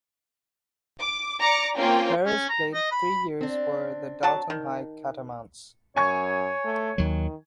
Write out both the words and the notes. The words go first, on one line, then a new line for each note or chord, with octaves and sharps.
Perez played three years for the Dalton High Catamounts.
D6
D5 A#5 D6 C#7
A#3 C4 C#4 F4 G5
C#4
A#5
D#5
B5
C4 D4
F#3 F#5 A5
D#3
F#2 C#5 G#5 C#6 G#6
A3
D#2 D#3 F#3